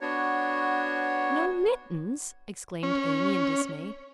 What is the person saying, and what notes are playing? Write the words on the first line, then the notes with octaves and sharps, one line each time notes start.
"No mittens!" exclaimed Amy in dismay.
B3 D4 F#4 C#5
C#4